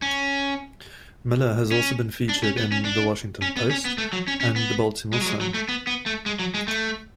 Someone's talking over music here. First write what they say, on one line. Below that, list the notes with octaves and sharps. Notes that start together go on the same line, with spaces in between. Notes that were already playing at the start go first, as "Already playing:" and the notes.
Miller has also been featured in "The Washington Post" and "The Baltimore Sun".
C#4
C#4
D4
C#4
B3
C#4
D4
C#4
B3
C#4
B3
A3
F#3
C#4
C#4
B3
G#3
F#3
G#3
F#3
A3
B3
B3
A3
G#3
F#3
G#3
A3